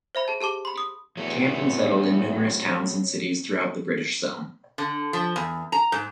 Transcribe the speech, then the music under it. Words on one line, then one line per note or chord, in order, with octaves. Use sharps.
Camp and settle in numerous towns and cities throughout the British Zone.
C5 E5 B5
G#4 A5
G4 G#4 A5 D6 G7
B5 C6
D#6
E2 F#3 A3 C#5
D3
F3
E2
A#5
G#2